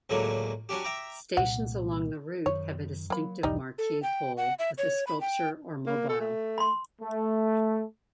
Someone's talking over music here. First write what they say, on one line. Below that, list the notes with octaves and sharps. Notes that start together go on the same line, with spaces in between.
Stations along the route have a distinctive marquee pole with a sculpture or mobile.
C#2 A2 D3 F#3 A#3
F#3 C#4 D4 G4
E5 G5 A#5 D6
C2 A#2 A#3 F#5
F#2 D#3 C#5
F#3 A#3 B5
B1 E2 G#2 G3 D#4
A4
G5
F#5
E5
C#5
B5
G5
A#3
A4
A3
B5 C6
A3